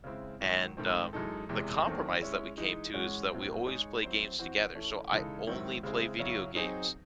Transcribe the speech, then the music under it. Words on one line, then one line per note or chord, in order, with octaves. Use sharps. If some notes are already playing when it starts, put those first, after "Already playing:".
And, um, the compromise that we came to is that we always play games together, so I only play video games
C#3 G#3 C4 E4
G#2 D#3 F#3
G#2 D#3 A3 C4
F#2 E3 G#3 D#4 A4
E2 C3 E3 G#3
E2 D#3 F#3 A3 C4
G#3 C#4 E4
E3 G#3 D#4
G#2 E3 G#3 C#4 F#4
A2 F#3 C4
G#3 D#4 G#4 C#5
F#3 C4 E4 C5
E3 C4 F#4 C5
E3 A3 C#4
C#3 E3 G#3 D#4 A4
G#2 D#3 F#3 C4 E4
C#3 G#3 C4 E4 G#4
C#3 F#3 C#4 E4
F#3 C4 D#4 G#4